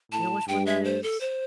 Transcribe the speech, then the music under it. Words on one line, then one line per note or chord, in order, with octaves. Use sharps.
You know which one that is?
A2 A5
G2 G5
E5
C5
A4
C5